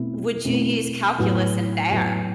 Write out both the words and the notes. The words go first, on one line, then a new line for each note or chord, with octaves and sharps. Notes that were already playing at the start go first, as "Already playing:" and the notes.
would you use calculus in there?
Already playing: B2 A3 C4 E4
B2 A3 C4 E4
A2 F#3 B3 F#4
A2 F#3 B3 F#4